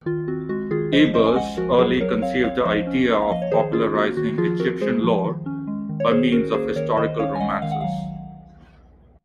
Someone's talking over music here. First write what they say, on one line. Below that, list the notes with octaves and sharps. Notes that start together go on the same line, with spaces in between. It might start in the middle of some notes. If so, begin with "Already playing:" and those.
Ebers early conceived the idea of popularizing Egyptian lore by means of historical romances.
D#3 F4
C4 F#4
G#3 F#4
D#3 F4 G#4
F3 C5 D#5
C#4 C5 D#5
G#5
G#3 D#5 F#5
F3 F#4 A#4
F#3 G#4 C5
F#3 A#4 C#5
C4 C#5 F5
C4 C#5 F5
F3 C5 D#5
C#4
A#3
F5
F3 D#5
C#5
D#3 G#4 C5
C#4 F4 G#4
A#3 F#4
D#3 F#4
F3 F4 G#4
C4 F#4 A#4
G#3 G#4 C5
F3
D#3
C#4
G#3
D#3
C#5
D#3 G#4 C5
C#4 F#4 A#4
A#3 G#4 C5
D#3 A#4 C#5
D#3 C5 D#5
C#4 C#5 F5
G#5
G#3 D#5 F#5
D#3 F5
F#5
F#3 F5